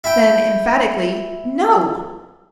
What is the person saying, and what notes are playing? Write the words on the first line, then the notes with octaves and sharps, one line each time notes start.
Then, emphatically, "No!"
E4 G5